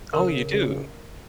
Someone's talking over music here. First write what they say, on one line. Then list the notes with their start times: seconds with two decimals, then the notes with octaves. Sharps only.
Oh, you do?
0.13 C#3 A#4